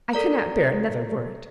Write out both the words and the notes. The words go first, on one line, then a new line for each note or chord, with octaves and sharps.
I could not bear another word.
A4 A#4 D5 A#5